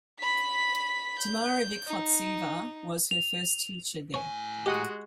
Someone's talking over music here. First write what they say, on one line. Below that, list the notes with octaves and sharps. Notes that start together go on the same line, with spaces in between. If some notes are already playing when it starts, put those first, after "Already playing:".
Tamara Vykhodtseva was her first teacher there.
B5 B6
G6
D#4
F7
A2 C#5 G#5
G#3 F#4 G4 D#5 F#5 D#6